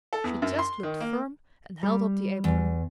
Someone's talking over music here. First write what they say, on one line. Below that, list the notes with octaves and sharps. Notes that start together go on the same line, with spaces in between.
She just looked firm and held up the apron.
A4
E2
F#2
C6
D#3
A#3
G3
E2